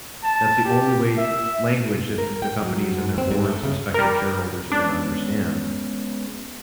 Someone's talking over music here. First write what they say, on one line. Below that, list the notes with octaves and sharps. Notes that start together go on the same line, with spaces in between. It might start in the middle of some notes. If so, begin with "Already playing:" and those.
That's the only way language that the companies and their boards' respective shareholders are gonna understand,
A5
G4
E5
A#4
G5
F#3
G#2
C4
G#2
A3
C#3
G3 A#4
G#3 B3 C#4 D4